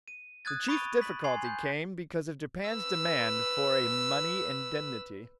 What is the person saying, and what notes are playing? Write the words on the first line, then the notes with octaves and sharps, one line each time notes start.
The chief difficulty came because of Japan's demand for a money indemnity.
D#7
D#6 F#6 G#6 A6
B5 C#6 D#6 A6 D7 D#7
B6 F#7
G#5 C6 G#6 C7 F7
G6
B4 E6